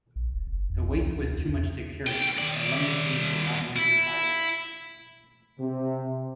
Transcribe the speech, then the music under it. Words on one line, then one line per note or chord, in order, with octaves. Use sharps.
The weight was too much to carry, and Leamington could not win here either.
A#1
E1
F#1
E2
B1
D#2
C#2
D#2
E2
B1 G5
D#2 D5
E4
C3